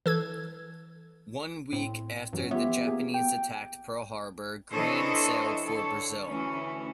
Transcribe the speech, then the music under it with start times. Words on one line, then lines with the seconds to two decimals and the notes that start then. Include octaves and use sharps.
One week after the Japanese attacked Pearl Harbor, "Greene" sailed for Brazil.
0.06 E3 A4 G#6
1.73 A2 C4
2.33 G2 E3 F#3 C#4
2.51 F3 B3 F4 G4 C#5 E5
2.86 A#3 G#4
3.14 G5
4.72 E3 D4 A4 C5 C#5 D#5
5.63 D3 A4 C#5
6.25 D2 E3 C#4